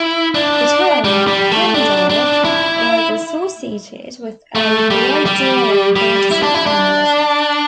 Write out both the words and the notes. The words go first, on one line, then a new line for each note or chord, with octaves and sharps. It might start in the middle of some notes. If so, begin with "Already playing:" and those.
The term "Pendle" is associated with a great deal of fantasy and legend.
Already playing: E4
D4
G3
G3
A3
D4
D4
E4
A3
G3
G3
G3
E4
D4
E4
D4